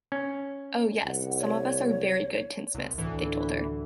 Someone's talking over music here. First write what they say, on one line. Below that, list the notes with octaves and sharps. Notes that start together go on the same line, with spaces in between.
"Oh, yes; some of us are very good tinsmiths," they told her.
C#4
C2 F#5
C#5
C2
D2 A2 E3